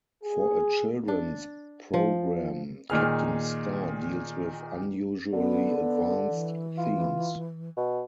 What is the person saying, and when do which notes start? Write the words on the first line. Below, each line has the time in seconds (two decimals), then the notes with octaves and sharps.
For a children's program, Captain Star deals with unusually advanced themes.
0.24 G#4
1.08 D4
1.94 F3
2.90 A#2 D#3 G#4 F6
5.33 D3 B3
5.78 B3
6.27 E3
6.78 F4
7.77 B2